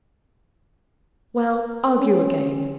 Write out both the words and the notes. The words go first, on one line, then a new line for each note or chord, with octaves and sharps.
"Well, argue again."
C#4